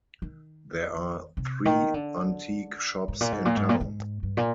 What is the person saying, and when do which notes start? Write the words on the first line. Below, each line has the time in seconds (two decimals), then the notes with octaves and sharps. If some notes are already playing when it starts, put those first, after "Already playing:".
There are three antique shops in town.
0.22 D#3
1.37 C3
1.65 D#3
1.94 D3
3.08 G#2
3.21 A#2
3.32 G#2
3.45 A#2
3.56 G#2
3.69 A#2
3.80 G#2
4.23 G2
4.37 A#2